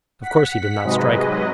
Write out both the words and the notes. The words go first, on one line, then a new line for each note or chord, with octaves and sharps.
Of course he did not strike.
F#5 B6
G#2 C3 F#3 G#3 B4 D#5